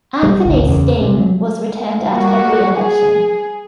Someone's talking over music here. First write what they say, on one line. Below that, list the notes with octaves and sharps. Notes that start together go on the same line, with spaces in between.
Anthony Steen was returned at every election.
G3
G#1 D2
E2 C#3
C3
F#3
G3 A#3 F#4
G#4